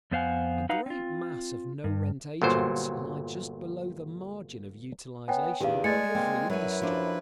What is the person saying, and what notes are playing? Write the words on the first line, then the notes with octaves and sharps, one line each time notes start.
A great mass of no-rent agents lie just below the margin of utilization in every industry.
F2 B3 C5 F5 F#5 G#5
D#4 B4 F5 F#5 A#5
C4 F4
G2
G1 A#2 F#3 C5
B3 C#5 G5 G#5
E2 D#3 D4 G4 F5
G#3 A3 D5 G#5 A6 C#7
A#3 C4
F#2 F#3 E4 B4 G#5
F3 D4